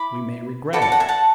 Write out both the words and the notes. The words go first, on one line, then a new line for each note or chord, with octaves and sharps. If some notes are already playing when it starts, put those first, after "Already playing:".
We may regret it.
Already playing: E4 B5 D6
F#4 A4 D5 B5
F#5 A5
F#5
E5 G#5
F#5 A5